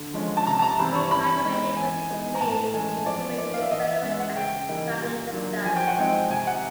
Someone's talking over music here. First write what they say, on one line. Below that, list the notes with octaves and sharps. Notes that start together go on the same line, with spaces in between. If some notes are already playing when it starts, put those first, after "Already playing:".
He graduated with a degree in human development and family studies.
Already playing: D3
F3 G#3 C#4
A5
C3 A#5
A5
A#5
E3 G3 C4 B5
C#6
E3 B5
G#3 B3 D#4
E3 G#5
G#3 B3 D#4
A#5
A2 A5
E3 G#3 C#4 G#5
F3 D5
A#3 D#4 D5
F5
E5
E3 D#5
E5
G#3 C#4 E5
F#5
C#3 G5
E3 G3 A#3 D#4
A#2
F#3 A#3 D4
F3 G#5
G5
F#5
G#3 C4 D#4 G5
C3 G#5
F#5